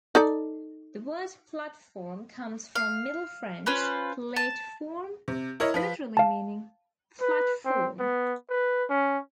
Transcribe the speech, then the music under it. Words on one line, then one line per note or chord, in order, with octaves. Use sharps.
The word platform comes from Middle French "plate-forme", literally meaning "flat form".
D#4 A4 D5
F5
C#4 F4 B4 C5
A5
C3
E4 A#4 C#5 D#5
F3 B4 B6
F5 A5
B4
C4
B3
B4
C#4